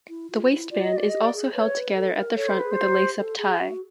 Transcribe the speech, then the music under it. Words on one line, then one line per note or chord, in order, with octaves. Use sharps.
The waistband is also held together at the front with a lace-up tie.
E4
F4
E4
F4 D5
D#5
F#4 D5
G4 D#5
D5
G#4
B4 C#5
B4
A4
A#4
A4 C#5
C5
G#4 B4
C5
G4
A4
G#4
F#4